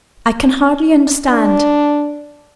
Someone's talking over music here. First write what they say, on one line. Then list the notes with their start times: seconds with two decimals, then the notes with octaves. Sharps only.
I can hardly understand.
1.30 D4